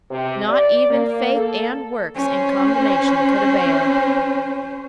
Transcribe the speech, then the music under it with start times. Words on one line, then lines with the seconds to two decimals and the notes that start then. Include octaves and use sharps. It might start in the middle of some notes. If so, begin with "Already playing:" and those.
Not even faith and works in combination could avail.
0.11 C3
0.49 D5
0.90 A#3
1.35 A4
2.16 C#4 C5